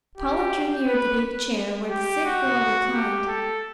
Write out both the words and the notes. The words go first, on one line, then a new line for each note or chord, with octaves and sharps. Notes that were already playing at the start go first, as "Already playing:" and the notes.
Paula drew near the big chair where the sick girl re-clined.
G4
B4
G4
F#4
G4
A4